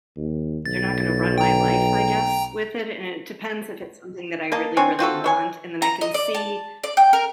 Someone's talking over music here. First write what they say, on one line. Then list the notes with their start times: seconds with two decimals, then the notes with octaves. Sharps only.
they're not gonna run my life, I guess, with it, and it depends if it's something that I really, really want, and then I can see
0.17 D#2
0.66 B1 A6
1.38 G5 A#5
4.52 A#3 D#5 A5
4.77 C4 D4 C#5 G#5
4.99 C4 F4 F#4 A4
5.24 A3 C#5 G#5
5.82 A#5
6.01 D#5
6.14 D5
6.35 A5
6.84 D5
6.97 G5
7.13 A#4